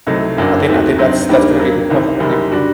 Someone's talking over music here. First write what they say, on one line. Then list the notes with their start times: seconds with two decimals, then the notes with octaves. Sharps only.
I think I think that's that's gonna be the tough one with you.
0.07 C2 C3 F#3 A3 D#4
0.37 G1 F#2 F#3 A#3 D4
0.68 D#2 D#3 A3 C4 F#4
0.98 G2 F#3 C4 D#4
1.29 D#2 D#3 G3 A#3 D4
1.59 G2 F#3 A#3
1.90 C2 C3 D#3
2.20 F#1 F#2 D#3 G3
2.52 D3 G3 D4 F#4